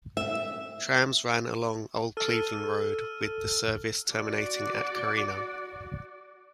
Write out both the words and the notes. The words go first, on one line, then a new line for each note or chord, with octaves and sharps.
Trams ran along Old Cleveland Road with the service terminating at Carina.
E5
A4 E6 F6 D#7
F#4 D5